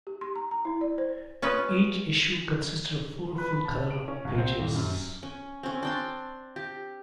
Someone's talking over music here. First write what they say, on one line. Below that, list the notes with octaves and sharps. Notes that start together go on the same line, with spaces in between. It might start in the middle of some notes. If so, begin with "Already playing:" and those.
Each issue consisted of four full-color pages.
G4
C6
A#5
A#5
E4
D5
C5
C#4 F4 B4 D#5
B4
B5
A5
D7
C#4
C2
C4
D#1
F#2
C#4
C4 C#4
D4 G5 C6
G4